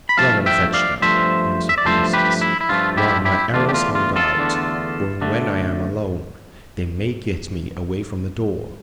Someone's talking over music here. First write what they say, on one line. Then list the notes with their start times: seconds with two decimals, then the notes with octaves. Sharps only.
"Run and fetch them," answered Ulysses, "while my arrows hold out, or when I am alone they may get me away from the door."
0.09 B5
0.17 G2 F3 A3 F5 A5
0.46 E5 G5
0.74 D5 F5
1.02 G2 F3 A3 C5 E5
1.69 E5
1.78 D5
1.85 G2 F3 A3 A4 C5
2.13 G4 B4
2.41 E4
2.61 E4
2.69 G2 F3 A3 F4
2.97 E4 G4
3.25 E4 G4
3.53 E2 D3 A3 D4 F4
3.69 G4
3.74 F4
3.95 F4
4.16 F4 A4
4.37 E2 D3 A3 D4
5.21 D3 A3 D4